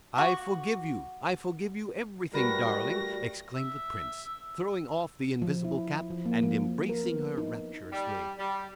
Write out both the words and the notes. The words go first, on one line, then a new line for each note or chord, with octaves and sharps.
"I forgive you, I forgive you everything, darling!" exclaimed the prince throwing off the invisible cap, and embracing her rapturously.
F#4 F#5 C#6 D6
G3 A3 F#4 A#4 B4 B5 A#6
E5
F3
E4
F3
A#3
F3
A#4
B3
D#4
G3
G3